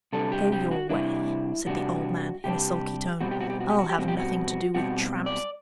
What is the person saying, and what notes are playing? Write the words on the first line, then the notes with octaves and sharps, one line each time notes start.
'Go your way,' said the old man in a sulky tone, 'I'll have nothing to do with tramps.
C3 G3 D4 A4
G4
G4
F#4
C3 G3 D4 E4
C3 G3 D4 F#4
C3 G3 D4 G4
B2 G3 C4 F#4
G4
F#4
G4
F#4
G4
F#4
G4
B2 G3 C4 F#4
G4
F#4
B2 G3 C4 F#4
D5